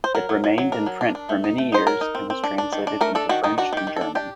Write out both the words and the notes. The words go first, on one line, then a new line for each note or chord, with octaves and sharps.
It remained in print for many years and was translated into French and German.
C5
F#3 A#4
F#3
F#3
F#3
D4 A#4
F#3
D4
D4
A3
D#4
A3
D#4 C5
F#3 A#4
D#4
C4
C4
D4
D4
D#3
D4
A3 A#4
D4 A4
D#3 F#4
D#3 D#4
D4 F#4
D#3 G4
D#3
D4 A4
D4 G4